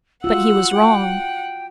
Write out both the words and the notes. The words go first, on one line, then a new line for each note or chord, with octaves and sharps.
But he was wrong.
F4 F#4 F#5 E6
G5